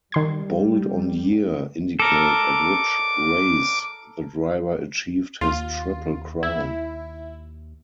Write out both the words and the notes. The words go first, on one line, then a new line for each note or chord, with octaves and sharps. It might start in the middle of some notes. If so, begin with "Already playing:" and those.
Bold on year indicate at which race the driver achieved his Triple Crown.
D#3 G3 C6 G#6
A4 A#4 D6
D#2 F4
E4